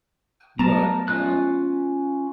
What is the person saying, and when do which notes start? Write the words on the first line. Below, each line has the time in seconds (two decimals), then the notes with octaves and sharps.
but, uh
0.59 F#3 A3 B3 A#4 A5 A#5
1.08 C#4 F4 F#6